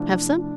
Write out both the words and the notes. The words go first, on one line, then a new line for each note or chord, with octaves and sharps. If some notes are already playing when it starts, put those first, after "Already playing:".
Have some?'
Already playing: C3 F3 A3 D4 E4
D4